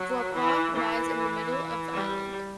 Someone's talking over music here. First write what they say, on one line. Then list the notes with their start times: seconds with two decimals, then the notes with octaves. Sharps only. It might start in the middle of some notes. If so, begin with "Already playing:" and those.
Vaipoa lies in the middle of the island.
Already playing: F#3
0.33 E3
0.74 E3
1.94 G3